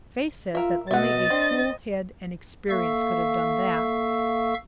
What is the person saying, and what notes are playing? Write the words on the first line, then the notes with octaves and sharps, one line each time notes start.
Faye says that only a cool head and experience could have done that.
F4 A#4 E5
B2 D#5 E5 F#5 A6
C4 D4
A#3 A4 E5 F5 C#6 E6